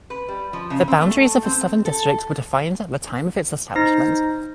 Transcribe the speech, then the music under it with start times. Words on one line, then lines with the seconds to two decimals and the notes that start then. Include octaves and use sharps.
The boundaries of the Southern District were defined at the time of its establishment.
0.10 B4
0.28 G3
0.53 F3
0.70 C#3
0.88 C4
1.01 A3
1.45 C4
1.85 A4
3.76 D#4 C5 A#6